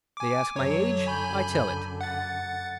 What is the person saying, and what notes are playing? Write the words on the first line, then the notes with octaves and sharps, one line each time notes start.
They ask my age; I tell it.
G#5 D6
F#2 D3 F#3 C#5
G#5 B5 G6
F#5 A6